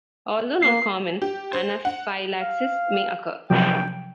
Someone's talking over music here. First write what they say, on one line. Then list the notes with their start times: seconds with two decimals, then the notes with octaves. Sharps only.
Although not common, anaphylaxis may occur.
0.62 A#3 C7
1.22 G4
1.53 C5
1.85 F#5
2.40 F5
3.50 C3 F3 F#3 G5